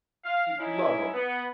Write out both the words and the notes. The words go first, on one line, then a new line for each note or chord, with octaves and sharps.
You you love him.
F5
C#4 D#4 E4
B3